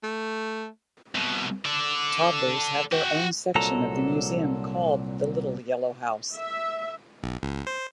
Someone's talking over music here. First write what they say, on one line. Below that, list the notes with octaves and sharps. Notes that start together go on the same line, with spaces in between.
Toddlers have their own section of the museum called The Little Yellow House.
A3
C2 B2
A4 D5
F#4 G5
C2 A#2 F#3 A4 A#5
E5
B1
C#2
C5